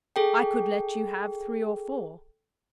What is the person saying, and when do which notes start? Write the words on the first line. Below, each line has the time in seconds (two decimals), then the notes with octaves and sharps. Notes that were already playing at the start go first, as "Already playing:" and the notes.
I could let you have three or four.
0.16 G#4 A4 G5